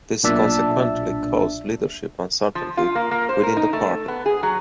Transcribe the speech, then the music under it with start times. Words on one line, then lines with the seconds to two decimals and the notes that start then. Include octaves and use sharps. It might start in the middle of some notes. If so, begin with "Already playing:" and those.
This consequently caused leadership uncertainty within the party.
0.23 B1 A#2 D4 E5 A5
2.55 F3
2.77 F4
2.95 A#3
3.11 A#3
3.29 C5
3.43 A#4
3.57 D#4
3.73 A3
4.08 B3
4.26 G#4
4.43 F#3